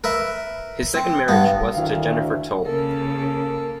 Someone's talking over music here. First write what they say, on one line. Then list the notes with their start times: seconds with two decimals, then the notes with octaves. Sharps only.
His second marriage was to Jennifer Tole.
0.04 A#4 B4 E5
0.95 C4
1.28 G2 B3
1.74 D2 D#3 E4 F5
2.65 C#3 A#3 A4 A#4